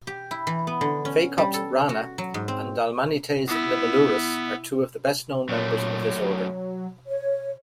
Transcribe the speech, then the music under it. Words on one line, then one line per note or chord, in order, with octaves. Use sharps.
"Phacops rana" and "Dalmanites limulurus" are two of the best-known members of this order.
G4
E4
E3
B3
D3
C#4
G3
A4
F#4
F#3
G#2
C4
B3 E4
F#2 A#2 A3 C#5
F#3
C#5